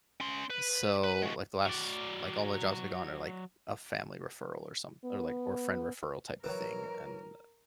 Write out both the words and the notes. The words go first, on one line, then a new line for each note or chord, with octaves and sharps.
so, like, the last like, all the jobs I've gone are, like, a family referral or some, or, like, or friend referral type of thing, and,
C#4 C6
B4
B4
G#3 F#4
F#3 D5
B3
E3 F#3 A#4